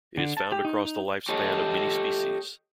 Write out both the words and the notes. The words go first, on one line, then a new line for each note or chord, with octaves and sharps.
It is found across the lifespan of many species.
D3
A5
G4
D#4
D#4
G4 A4 C#5 D#5